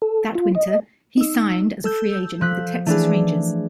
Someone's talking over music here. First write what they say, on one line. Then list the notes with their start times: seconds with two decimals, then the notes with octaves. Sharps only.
That winter, he signed as a free agent with the Texas Rangers.
0.02 A4
0.35 F4
0.55 D#5
1.17 D#4 E6
1.84 A4 E6 G6
2.41 F3 F#6 B6
2.87 E3 A3 D4 G#4 B4